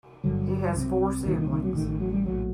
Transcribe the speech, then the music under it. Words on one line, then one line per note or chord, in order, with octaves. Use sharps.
He has four siblings.
G1 G2 D3 F#3
C2 C3
C2 A#2 D#3
D#3
D#3
F#3
A1 A2 D#3
D#3
F#3
G3
A#1 A2 F#3